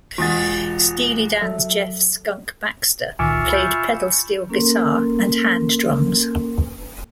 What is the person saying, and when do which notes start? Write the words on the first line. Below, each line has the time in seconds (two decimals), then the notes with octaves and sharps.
Steely Dan's Jeff "Skunk" Baxter played pedal steel guitar and hand drums.
0.18 E1 E3 G#3 F4 F#5 A6
1.41 F#3 A4 E5
3.19 C#2 A#2 D#3 F4 E5 G#5 C#6 D6
3.50 B5 G6
4.49 A#3 C#4 A4 A#4 C6